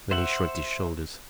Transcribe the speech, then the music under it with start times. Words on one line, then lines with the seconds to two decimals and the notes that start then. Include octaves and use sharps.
Then he shrugged his shoulders.
0.11 C5 E5 F#5